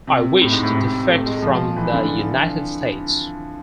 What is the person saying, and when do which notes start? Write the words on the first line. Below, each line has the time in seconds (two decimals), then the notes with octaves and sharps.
I wish to defect from the United States.
0.07 C3
0.42 A2
0.52 G#2
0.63 A2
0.75 C3
1.09 A3
1.26 G#3
1.42 F3
1.77 E3
1.94 D3